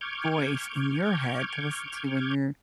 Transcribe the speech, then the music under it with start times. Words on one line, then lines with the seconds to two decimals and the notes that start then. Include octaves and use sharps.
voice in your head to listen to when you're
0.01 C#6 D6 F6 G6 G#6